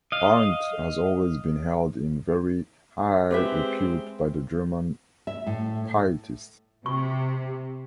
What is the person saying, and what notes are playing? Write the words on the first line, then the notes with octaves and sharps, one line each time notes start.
Arndt has always been held in very high repute by the German Pietists.
D#5 F5
G#3 C4 G4 B4 E5
E5
A2
C3 C#6